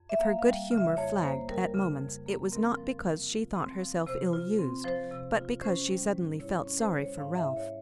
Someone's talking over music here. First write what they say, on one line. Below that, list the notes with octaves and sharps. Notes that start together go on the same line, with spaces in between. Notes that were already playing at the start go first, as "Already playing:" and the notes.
If her good-humour flagged at moments it was not because she thought herself ill-used, but because she suddenly felt sorry for Ralph.
Already playing: F2
E5
A#3 F5
F5
G3
C#3
E5
F2 C#5
A#3 C5
G3 A#4
C#3
F2
A#3
C4 A#4
F3
C3
F4
C4
F3
C3 C5
F4
C4
F3 C5
C3
F4
C#4 C5
G3
G#2
E4 C#5
C#5
C#4
C5
G3
C#5
G#2 F5
E5
E4
C#5